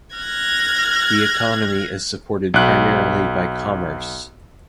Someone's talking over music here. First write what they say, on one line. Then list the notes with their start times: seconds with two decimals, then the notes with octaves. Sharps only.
The economy is supported primarily by commerce.
0.16 F6 F#6 G#6 A#6
2.54 B1 F#6